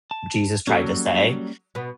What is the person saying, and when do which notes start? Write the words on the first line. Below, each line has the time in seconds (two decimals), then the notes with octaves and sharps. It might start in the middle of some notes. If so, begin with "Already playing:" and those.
Jesus tried to say,
0.11 A5
0.67 F#3 G3 A#3 C#4 A4
1.75 B2 B3